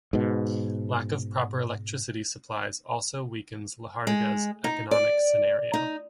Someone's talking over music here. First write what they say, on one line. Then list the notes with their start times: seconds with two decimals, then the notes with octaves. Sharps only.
Lack of proper electricity supplies also weakens Lohardaga's economic scenario.
0.13 G#2 B2
4.07 G#3
4.64 D#4
4.91 D5
5.73 D#4